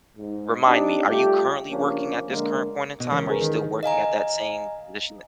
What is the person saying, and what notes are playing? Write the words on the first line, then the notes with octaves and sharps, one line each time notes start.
remind me, are you currently working at this current point in time? Are you still working at that same position tha
G#2
C4 D4 D#4 G4
G3 A3 F4 G4
C#3 F3 A#3 C#4 D4
D3 G#3 A#3
B2
C#2 E3 C#4 A#4
G#4 A#4 B4
D#3
D#5 F5 G#5 A#5